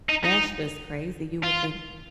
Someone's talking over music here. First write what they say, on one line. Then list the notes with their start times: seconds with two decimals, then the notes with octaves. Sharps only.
that's just crazy, you would think
0.09 D#4
0.24 D#4
1.44 F4